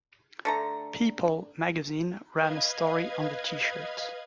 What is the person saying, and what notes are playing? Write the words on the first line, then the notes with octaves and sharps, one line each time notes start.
"People" magazine ran a story on the T-shirt.
D3 A3 A#5
B4 D#5 F5 G#6